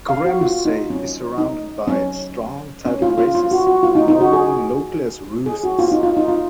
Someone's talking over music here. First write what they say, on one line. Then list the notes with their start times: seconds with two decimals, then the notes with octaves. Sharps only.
Graemsay is surrounded by strong tidal races, known locally as "roosts".
0.09 F5
0.25 F#4
0.41 F4
0.65 D#4
0.90 C#4
1.38 D#4
1.88 C#4
2.86 C#4
3.02 F4
3.18 F4
3.35 F4
3.51 F#4
3.67 F#4
3.83 F4
3.95 D#4
4.08 D#4
4.21 F#4
4.33 G#4
5.46 G#4
5.64 F#4
5.79 F4
5.92 D#4
6.03 F4
6.17 D#4
6.28 F4